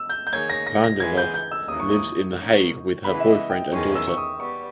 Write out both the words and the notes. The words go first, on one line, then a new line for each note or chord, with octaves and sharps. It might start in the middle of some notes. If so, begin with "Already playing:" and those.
Van der Werf lives in The Hague with her boyfriend and daughter.
Already playing: E6
G6
G6
D#3 A#3 D#4 G#4 C#5 G#6
A#6
A#6
A#6
E3 G#3 B3 G#6
G6
G6
E6
D#2 C#3 E3 A#3 D#6
C#6
D#6
G#2 D#3 A#3 C#4
C#3 E3 G#3 B3 B5
E5
D#5
G5
E2 D#3 G#3 C#4 C#6
E6
C#6
D#6
G3 B3 C#6